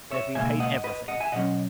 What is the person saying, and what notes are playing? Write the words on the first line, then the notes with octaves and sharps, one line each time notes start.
They have been paid every thing.
C#5 E5
C#2 B2 A#3 E5 G#5
D#5 F#5
B4 D#5
D#5 F#5
E5 G#5
C#2 B2 F#3 C#4 D#5 F#5